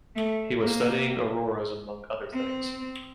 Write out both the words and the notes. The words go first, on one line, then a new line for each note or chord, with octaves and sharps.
He was studying auroras among other things.
A3
A#3
C4